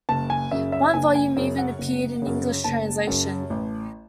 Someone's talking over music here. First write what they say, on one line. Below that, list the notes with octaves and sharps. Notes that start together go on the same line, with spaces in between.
One volume even appeared in English translation.
F#1 A5
G#5
F#2 C#3 E5
E5
F#1 G#5
G#5
F#2 C#3
F#5
F#1
F#2 C#3
F#1 A5
F#2 C#3
A1